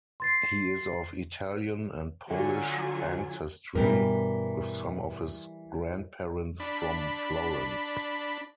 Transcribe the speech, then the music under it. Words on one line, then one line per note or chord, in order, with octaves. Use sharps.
He is of Italian and Polish ancestry with some of his grandparents from Florence.
C6 A6 C7
D3 F#3 F4 G#5
G2 B2 E3 G3 A#4
D4 B5